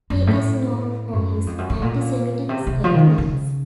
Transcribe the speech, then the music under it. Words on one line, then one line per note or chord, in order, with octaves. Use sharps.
He is known for his anti-semitic statements.
F#2
A2
F#2
F2
F#2
A2
A#2
C3
C3
F3
D#3
C#3
C#3